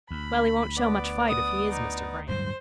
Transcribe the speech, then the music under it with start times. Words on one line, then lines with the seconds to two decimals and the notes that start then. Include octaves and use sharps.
"Well, he won't show much fight if he is Mr. Vrain."
0.11 D2 B5
0.77 B3 D5 D6
1.28 D#6
1.72 D#4
2.28 D1 G2 F#3 C5